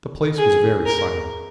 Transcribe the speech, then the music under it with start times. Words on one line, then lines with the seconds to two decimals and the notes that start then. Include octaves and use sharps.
The place was very silent.
0.38 G#4
0.86 A#4